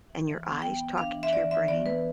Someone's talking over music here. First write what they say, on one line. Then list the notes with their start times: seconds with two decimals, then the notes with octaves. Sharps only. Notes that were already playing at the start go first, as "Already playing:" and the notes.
and your eyes talking to your brain,
0.09 E3
0.28 E3
0.45 B3
0.62 B3 G5
0.80 B3
0.97 D4 F5
1.15 E3
1.23 E5
1.33 E3 D5
1.51 E3 E5
1.68 B3 D5
1.86 E3 B4